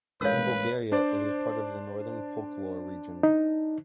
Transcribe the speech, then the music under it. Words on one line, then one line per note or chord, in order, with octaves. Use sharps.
In Bulgaria it is part of the "Northern folklore region".
A1 G2 G#3 A#4 B4 C#5 F5 E6
D4 C5 D5
D#4